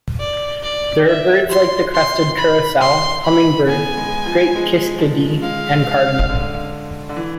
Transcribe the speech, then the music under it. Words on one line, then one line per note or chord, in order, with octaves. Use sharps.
There are birds like the crested curassow, hummingbird, great kiskadee and cardinal.
D5
D5
E5
C6
C6
B5
C6
B5
B3 G#5
G#3
F3
G#3
F3
G#3 F5
D3
D3
E3